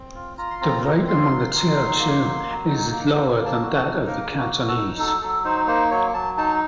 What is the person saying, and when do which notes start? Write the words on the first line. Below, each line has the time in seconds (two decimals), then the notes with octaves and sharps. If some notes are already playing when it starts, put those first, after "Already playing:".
The rate among the Teochew is lower than that of the Cantonese.
Already playing: C4
0.15 F4
0.38 F4 A#5
0.50 C6
0.61 C4 A#5
0.85 C4 A#5
1.07 F4 C6
1.30 F#3
1.54 F#3
1.76 D#4
1.99 A#3
2.22 F#3
2.46 F#3
2.69 D#4
2.91 A#3
3.15 A#3
3.38 A#3
3.45 A5
3.61 F#4
3.76 A5
3.83 D#4
4.07 A#3 A#4
4.30 A#3
4.38 F#4
4.53 F#4
4.68 A4
4.75 D#4
4.98 F#3 A4
5.22 F#3 A4
5.44 D#4 C5
5.67 A#3 C5
5.91 F#3 C#5
6.14 F#3 A5
6.38 D#4 A5